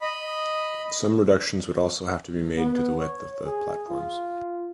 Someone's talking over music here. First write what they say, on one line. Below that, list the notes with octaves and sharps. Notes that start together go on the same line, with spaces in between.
Some reductions would also have to be made to the width of the platforms.
D#5 B5
B3
C#5
G#4
F4